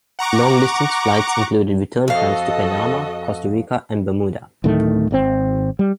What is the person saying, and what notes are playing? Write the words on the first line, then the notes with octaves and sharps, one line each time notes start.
Long-distance flights included return flights to Panama, Costa Rica and Bermuda.
F#5 A#5 C#6 D6
F2 F#4 A4 D#5 F5
D1 A2 D#3 A3
G#1 D3 C4
G3